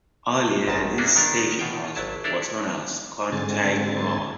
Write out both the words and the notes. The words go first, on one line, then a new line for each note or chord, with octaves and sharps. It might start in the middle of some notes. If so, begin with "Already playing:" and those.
Earlier this station was known as Contai Road.
G#1 F#2 D#3 A5
A#3 B3 C#4 D4 F#4 G#4
D#3 B3 D4 A#4
B2 F4 C#5 G5
G#1 F#3 E4 A5
D4 E4 A4 A#4 D5
G#2 D3 G#3 C4 G#5 A6